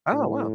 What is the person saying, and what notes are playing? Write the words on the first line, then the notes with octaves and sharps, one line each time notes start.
Oh, wow.
A2